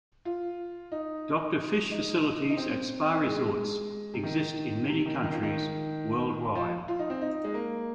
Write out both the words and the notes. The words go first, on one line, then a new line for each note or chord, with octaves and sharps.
Doctor fish facilities at spa resorts exist in many countries worldwide.
F4
D#4
D#4
D#4
C4
G#3
C3
D#3
C3
D#3
D#3
F3
D#3
F3
F4
D#4
C4
D#4
G#3
A#3